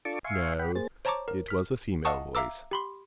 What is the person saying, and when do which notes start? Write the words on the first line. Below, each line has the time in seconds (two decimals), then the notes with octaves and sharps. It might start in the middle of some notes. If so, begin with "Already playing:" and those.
No, it was a female voice.
0.05 D4 F4 A4 A5 C#6 D6
0.24 E5 F5 G#5 C6 C#6
0.59 F#5 G5 B5
0.75 A#3 G#4 C5 A6
1.05 C5 C#5 A5 A#5 C#6 D6
1.28 A#4
1.48 F6 B6
2.05 D#5 F5 F#5 A5 C#6 D#6
2.35 E5 F5 A#5 D6 E6
2.71 G4 B5 C6